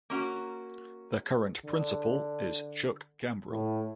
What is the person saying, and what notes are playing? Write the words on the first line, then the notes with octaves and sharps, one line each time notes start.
The current principal is Chuck Gambrill.
A#3 C#4 F#4
D3
A2